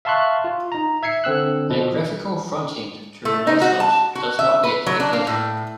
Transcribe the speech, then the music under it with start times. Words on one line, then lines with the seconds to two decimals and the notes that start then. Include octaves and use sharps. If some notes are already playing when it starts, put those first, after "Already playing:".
A graphical frontend to Renaissance does not yet exist.
0.05 E5 F5 A5 C6 C#6 F#6
0.44 F4
0.72 D#4 A#5
1.03 E5 G#6 C7 C#7
1.24 D3 C4 E6 F#6
1.70 B2 F3
3.25 A3
3.47 D#4
3.62 F#4
3.80 A5
4.15 F#4
4.39 E5
4.64 B4
4.87 F#3
5.00 D4
5.13 A#3
5.27 A2